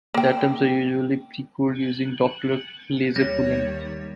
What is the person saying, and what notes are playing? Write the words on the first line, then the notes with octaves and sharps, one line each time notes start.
The atoms are usually precooled using the Doppler laser cooling.
A#3 G5
D#2 D#3 G3 A#3 C#5 A#6